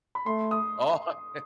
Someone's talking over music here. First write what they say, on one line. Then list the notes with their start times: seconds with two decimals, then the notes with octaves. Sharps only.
Oh, okay.
0.15 B5
0.26 A3 C6
0.51 D#6